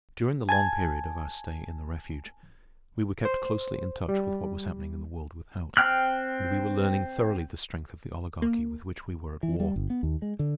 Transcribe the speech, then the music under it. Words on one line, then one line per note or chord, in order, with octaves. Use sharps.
During the long period of our stay in the refuge, we were kept closely in touch with what was happening in the world without, and we were learning thoroughly the strength of the Oligarchy with which we were at war.
G#5 A5 G#6
C5
G3
C4 G5 F6 F#6
A#3
E3
G3
G1
B3
D#2
G#3
D3